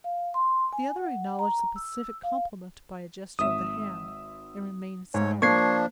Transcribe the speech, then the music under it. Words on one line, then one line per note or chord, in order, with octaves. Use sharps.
The other acknowledged the pacific compliment by a gesture of the hand, and remained silent.
F5
C6
G#5
F#5
A#5
E6
F5
G#1 E5 D#6
G#2 C#5
F3 A#3 D4 C#6 G#6 C7